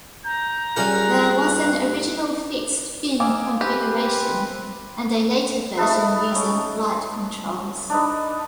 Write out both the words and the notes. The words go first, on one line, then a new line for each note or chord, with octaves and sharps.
There was an original fixed-fin configuration and a later version using flight controls.
A#5 G6
G3 C#4 F4 G#4 A#4 F#6
G2
D#4 F5 G#5 D6 E6
C4 G4 B4
A3 D#4 A4 B4
C#4 G5
D4 D#4 B4